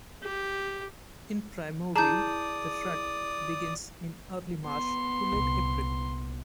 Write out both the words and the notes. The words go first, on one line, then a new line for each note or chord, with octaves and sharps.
In Primorye, the rut begins in early March to late April.
G4
E4 G#4 D5 A5 A#5 D#6 G6
B3 C6
C2 A#2